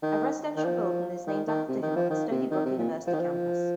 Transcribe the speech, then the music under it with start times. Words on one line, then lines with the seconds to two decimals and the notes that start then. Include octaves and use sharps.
A residential building is named after him on the Stony Brook University campus.
0.02 D#3
0.56 D#3
0.64 F3
1.27 D#3
1.47 D#3
1.69 C3
1.82 D#3
1.96 F3
2.10 D#3
2.31 C3
2.51 D#3
2.65 C3
2.78 A#2
3.07 F3
3.13 D#3
3.20 F3